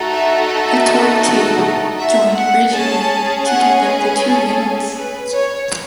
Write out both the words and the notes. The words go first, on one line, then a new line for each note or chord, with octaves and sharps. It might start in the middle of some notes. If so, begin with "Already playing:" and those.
A torque tube joined rigidly together the two units.
Already playing: A3 D#4 F#4 A4
E5
E5
D#5
E5
F#5
C#4 G#4 A5
F#5
B4
A4
B4
C#5